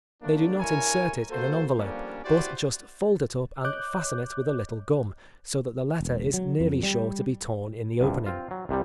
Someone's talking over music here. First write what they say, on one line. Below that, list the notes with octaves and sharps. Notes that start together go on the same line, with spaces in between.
They do not insert it in an envelope, but just fold it up and fasten it with a little gum, so that the letter is nearly sure to be torn in the opening.
F#3 A3 A#3 D4
G2 E4 A#4 C#5 G#5
A#3 F#4 A4 C5
F3 G3 A#3 B3 C#4 D4
E4 F#4 G4 B4 C5 D5
C#5 D#5 D6 F#6 G6
E1
F#3
F2
G3
C2 G2
C4 F4
F#3
C2 C3 G3